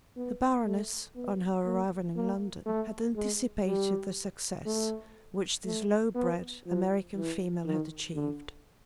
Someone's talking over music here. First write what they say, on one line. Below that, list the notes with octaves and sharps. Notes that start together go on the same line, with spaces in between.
The Baroness, on her arrival in London, had anticipated the success which this low-bred American female had achieved.
B3
A3
B3
A#3
A#3
A3
G#3
G3
A3
A3
B3
F3
E3
D#3
D3